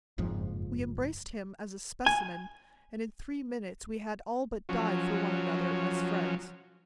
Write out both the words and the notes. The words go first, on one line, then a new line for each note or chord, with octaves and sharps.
We embraced him as a specimen, and in three minutes we had all but died for one another as friends.
F#1 F2 G#2 F3
G#5
F3 F#3 C#4